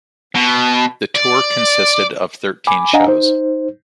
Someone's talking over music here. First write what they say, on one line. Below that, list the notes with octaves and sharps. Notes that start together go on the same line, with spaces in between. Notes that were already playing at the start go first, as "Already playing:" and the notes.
The tour consisted of thirteen shows.
B2
D5
G#5 B5 D6
D4 D#5 F5 F#5 G#5 A#5
D#4 C5